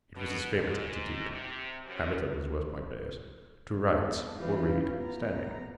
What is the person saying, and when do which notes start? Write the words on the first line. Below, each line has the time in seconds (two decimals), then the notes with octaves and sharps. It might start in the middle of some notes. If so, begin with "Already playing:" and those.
It was his favorite attitude--habit of his West Point days--to write or read standing.
0.17 B2
0.55 G#2
1.30 C3
1.86 F#2
3.93 G#3 B3 A4 D5
4.36 E3 F3 C#4 F4 G4 B4
4.98 B3 A#5